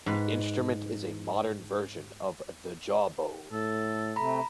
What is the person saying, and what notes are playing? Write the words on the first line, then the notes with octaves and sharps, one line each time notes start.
The instrument is a modern version of the jawbone.
G#2 B4
A2 A4
C3 A3 A#5 B5